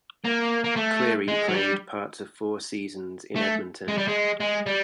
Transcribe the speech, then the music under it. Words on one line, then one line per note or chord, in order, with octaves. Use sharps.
Cleary played parts of four seasons in Edmonton.
A#3
A#3
A3
G#3
F#3
G3
A3
G#3
G3
G#3
G#3
G3